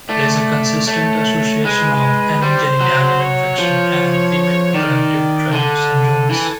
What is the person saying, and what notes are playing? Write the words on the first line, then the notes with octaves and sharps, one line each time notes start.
There is a consistent association of M. genitalium infection and female reproductive tract syndromes.
A3 D5
A3 C#5
G#3 B4
G3 C5
F#3
C#5
F3
D#3 D5
D3 A4
E3